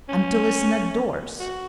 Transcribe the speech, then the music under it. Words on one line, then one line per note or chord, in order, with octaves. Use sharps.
"And to listen at doors!"
C#4
F#4